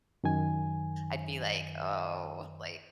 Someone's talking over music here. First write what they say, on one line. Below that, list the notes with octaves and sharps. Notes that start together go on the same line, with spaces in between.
I'd be like, "Oh," like,
F#2 D#3 G#5